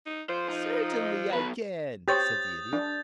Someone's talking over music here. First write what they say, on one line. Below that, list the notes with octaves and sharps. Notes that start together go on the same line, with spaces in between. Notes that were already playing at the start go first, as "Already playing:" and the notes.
"Certainly I can," said the Idiot.
D#4
F3 C5
D#4
F#3 B3 B4
G4 C5 C#5 D#6 G6 A6
D4